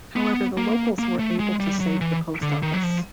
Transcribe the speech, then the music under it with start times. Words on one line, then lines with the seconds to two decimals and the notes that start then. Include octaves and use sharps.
However the locals were able to save the post office.
0.16 B3
0.58 A#3
0.99 A#3
1.19 A3
1.39 G#3
1.60 G3
1.80 F#3
2.01 E3
2.42 D3
2.63 D#3
2.74 F#3
2.83 F3